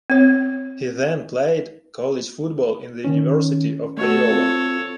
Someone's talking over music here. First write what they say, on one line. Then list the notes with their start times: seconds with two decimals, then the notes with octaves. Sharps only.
He then played college football at the University of Iowa.
0.10 C4 C#5
3.04 D#3 C#4
3.97 A3 F#4 A4 C#5
4.31 C4 F4